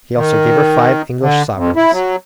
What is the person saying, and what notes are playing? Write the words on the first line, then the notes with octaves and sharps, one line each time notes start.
He also gave her five English sovereigns.
D#3
D3
F2
E4
F#3